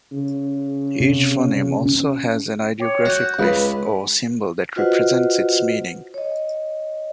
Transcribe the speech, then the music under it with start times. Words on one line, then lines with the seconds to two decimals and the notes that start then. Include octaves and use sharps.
Each phoneme also has an ideographic glyph or symbol that represents its meaning.
0.12 C#3
1.00 C3
1.86 C#4
2.80 C#5 G5 D6
3.05 F#4 F#6 G6
3.39 C#2 G#4 B4 B5
4.76 F4 F#4 B4 C5 D#5 F#5
6.14 C#5 D#5